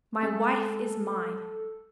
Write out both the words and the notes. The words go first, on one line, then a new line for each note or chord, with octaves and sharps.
My wife is mine.
G#3 A4